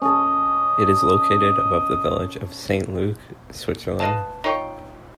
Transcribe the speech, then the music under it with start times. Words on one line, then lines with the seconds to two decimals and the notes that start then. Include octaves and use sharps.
It is located above the village of Saint-Luc, Switzerland.
0.02 C#4 A4 D#5
4.00 B4 D#5 F5 A5
4.44 D#4 F4 C#5 G5